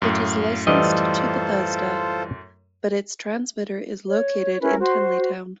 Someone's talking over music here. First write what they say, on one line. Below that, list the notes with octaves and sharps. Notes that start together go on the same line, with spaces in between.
It is licensed to Bethesda, but its transmitter is located in Tenleytown.
F#2 A2 F5
E3 G3 F4 A4 C5 D#5
C#5
C#4 E4 A#4 B4
F#4 C5